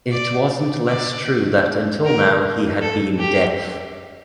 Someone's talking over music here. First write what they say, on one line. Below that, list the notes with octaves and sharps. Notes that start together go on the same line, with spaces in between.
It wasn’t less true that until now he had been deaf.
D5
D5
A#4
A4
G4